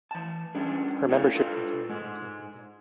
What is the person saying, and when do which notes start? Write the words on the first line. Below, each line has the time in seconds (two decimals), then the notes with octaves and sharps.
Her membership continued until her death.
0.11 E3 A5
0.55 G3 C#4 D4 G#4
1.09 E4 A4 C#5 D5 F5
1.35 D4 F4 A4 B4
1.89 G#2 G#3